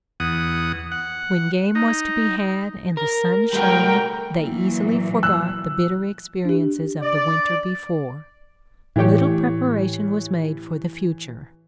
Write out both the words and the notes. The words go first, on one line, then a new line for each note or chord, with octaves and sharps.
When game was to be had and the sun shone, they easily forgot the bitter experiences of the winter before. Little preparation was made for the future.
E2 F#5 D#6
F#5
D#4
A#4
G3 A3 F#4 A#4 G5
A#2 E3 F#3
E6 F#6
D4 G4
D5
A2 E3 G4 C#5